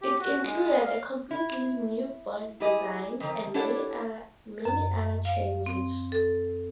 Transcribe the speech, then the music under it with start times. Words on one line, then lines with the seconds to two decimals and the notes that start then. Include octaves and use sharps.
It included a completely new body design and many other changes.
0.01 G4
0.20 F#4
0.45 G#3
0.84 F5
1.31 E4
2.60 E4 G4 G#4 D#5
3.20 F2 D#3
3.54 D4 E4 G4 A4 C#5 F#5
4.65 F#2
5.25 F5
5.66 C4
6.12 A4